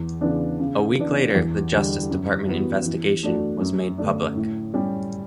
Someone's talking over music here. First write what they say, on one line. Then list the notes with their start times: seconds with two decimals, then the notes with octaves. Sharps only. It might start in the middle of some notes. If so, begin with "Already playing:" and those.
A week later the Justice Department investigation was made public.
Already playing: E2
0.21 C#3 E3 B3 D4
0.59 C#3
0.97 E3 B3 D4
1.35 E2
1.73 D3 G3
2.10 F#2
2.47 E3 B3 F#4
2.85 E3
3.23 A3 D4 F#4
3.60 F#2
3.98 D3 A3 D4
4.35 A2
4.74 G3 C#4 G4